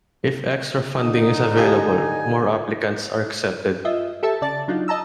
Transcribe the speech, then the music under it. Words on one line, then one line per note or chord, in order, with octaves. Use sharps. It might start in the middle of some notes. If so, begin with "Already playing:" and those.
If extra funding is available, more applicants are accepted.
D3 D#4 D#6
F3 G4 A4 G#5
F4 D#5 E5
G4 A4 E5 A5
C#3 D5 A5 A6
F#3 D4 D#4 F4
D#5 A5 A#5 E6